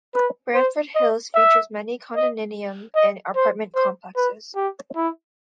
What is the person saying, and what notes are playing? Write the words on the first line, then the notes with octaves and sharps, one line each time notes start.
Branford Hills features many condominium and apartment complexes.
B4
C5
D#5
E5
D#5
D#5
C5
C5
B4
G4
E4